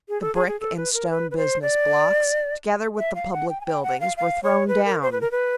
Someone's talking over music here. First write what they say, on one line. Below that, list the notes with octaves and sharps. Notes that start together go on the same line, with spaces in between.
The brick and stone business blocks, together with the public buildings, were thrown down.
G#4
A4
G#4
G#4
A4
B4
A#4
B4
B4
C5
D5
E5
F5
F#5
G5
G#5
G5
F#5
F5
F5
C#5
B4
A#4
C5
B4
A#4
B4